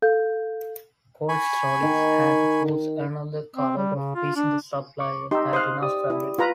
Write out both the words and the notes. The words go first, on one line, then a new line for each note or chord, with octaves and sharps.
Coach Solis had to choose another color of which the supplier had enough fabric.
A4 F5 G6
G#5 B5 C#6
D#3
C4
G3
C#3
F4
D4
C#6 D6
D#4 G4 C6 E6
C5 F5 C6 D#6 F#6
G4 D5 D#6
E4
F4 B4 A#5